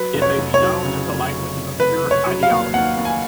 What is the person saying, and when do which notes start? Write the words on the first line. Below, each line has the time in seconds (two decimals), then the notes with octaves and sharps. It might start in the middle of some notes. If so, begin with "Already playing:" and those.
It may be known as a language of pure ideology.
Already playing: F#3 B4
0.14 F1
0.22 C#5
0.38 F1
0.54 C#5
0.61 F#3
0.85 C#3
1.09 F1
1.33 F#3
1.56 F1
1.80 F1 B4
2.03 F1
2.11 C#5
2.27 F#3
2.43 F5
2.50 D#2
2.74 D#2 F#5
2.97 D#2
3.05 G#5